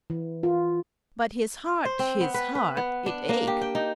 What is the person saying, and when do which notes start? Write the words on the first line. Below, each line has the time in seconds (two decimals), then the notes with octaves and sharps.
But his heart, his heart ... it ached!
0.10 E3
0.43 F4
1.85 C5
1.99 C4
2.21 B3
2.34 B4
2.55 B4
2.77 B3
3.06 D4
3.29 A#3
3.47 G4
3.61 G5
3.75 D#4